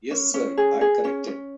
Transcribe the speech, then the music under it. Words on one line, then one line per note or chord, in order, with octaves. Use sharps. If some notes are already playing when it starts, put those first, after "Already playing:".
Yes, sir, I corrected.
C#4
C#4
G#4
G#4
C#4
C#4